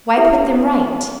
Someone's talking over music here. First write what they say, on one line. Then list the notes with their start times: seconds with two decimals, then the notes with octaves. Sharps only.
Why put them right?
0.18 E4 G4 A4 B4 E5 F5